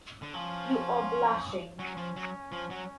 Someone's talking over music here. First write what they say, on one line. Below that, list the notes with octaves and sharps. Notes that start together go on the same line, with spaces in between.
You are blushing.
D3
F3 C#4
F#3 C#4
F3
F#3
F3
F#3